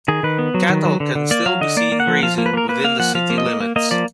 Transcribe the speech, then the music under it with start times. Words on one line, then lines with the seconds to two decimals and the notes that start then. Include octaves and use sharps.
Cattle can still be seen grazing within the city limits.
0.08 D#3 G#4
0.23 D#3 B4
0.39 B3
0.54 F#3
0.69 D#3
0.85 F#3
1.00 D3
1.15 D3
1.31 A#3 D5
1.46 F#3 F5
1.61 D3 D#5
1.77 A#3 D5
1.92 A#3
2.00 F#5
2.07 F3
2.23 F3 F5
2.38 A#3
2.46 B4
2.53 A#3 A#4
2.69 A#3 B4
2.84 A#3 F5
2.99 F3 F#5
3.15 F3 F5
3.30 A#3
3.38 D#5
3.45 A#3
3.60 A#3
3.76 A#3 D#5
3.91 F3 D5